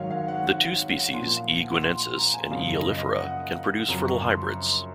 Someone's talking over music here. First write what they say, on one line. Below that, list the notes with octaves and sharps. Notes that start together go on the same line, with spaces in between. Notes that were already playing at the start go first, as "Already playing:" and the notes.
The two species, "E. guineensis" and "E. oleifera" can produce fertile hybrids.
Already playing: G#2 D#3 F#3 C#5 F5
F5
F#5
A#2 F3 C6
F5
F#5
C6
C6
A#5
G#5
F#2 C#3 F3 F5
D#5
D#5
F#5
F#2 C#3 F3 A#5
C#6
C6
C#6
C6